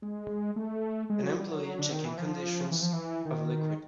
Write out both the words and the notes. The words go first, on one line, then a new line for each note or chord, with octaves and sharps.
An employee checking conditions of a liquid.
G#3
A3
G#3
F#3
G3
F#3
D3
D#3
E3
F3
E3
F3
E3
D#3